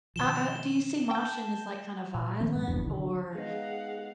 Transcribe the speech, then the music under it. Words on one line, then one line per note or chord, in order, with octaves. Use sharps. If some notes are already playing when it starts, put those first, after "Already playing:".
I I Do you see moshing as, like, kinda violent or
B2 D#3 F3 E7 G7
G5 A5 G6
A#2
D#3 F3 A#3 C4
G#2
F1 A#1 E2 G2
C2 D#3
D3
G#3 B3 D#4 G#4 F5 F#5